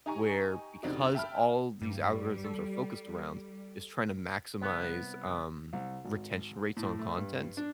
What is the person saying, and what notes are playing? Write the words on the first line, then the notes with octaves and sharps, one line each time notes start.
where, because all these algorithms are focused around is trying to maximize, um, retention rates on content
D#4 G4 G#5 A#5 C#6
F1 C#3 C4 D4 D#4 F#4
E5 G5 A5 B5 F6
G2 G3
A4
C2 B3
C2
G#1
A2
A3
G2
D4